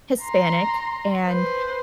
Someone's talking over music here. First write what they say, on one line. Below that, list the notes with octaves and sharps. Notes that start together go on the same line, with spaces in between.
Hispanic, and
A#5 C6
B4 C5